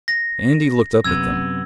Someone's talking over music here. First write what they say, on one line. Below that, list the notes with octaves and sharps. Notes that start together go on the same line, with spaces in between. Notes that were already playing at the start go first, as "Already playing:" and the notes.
Andy looked up at them.
A#6
F#2 C3 B3 E6 G#6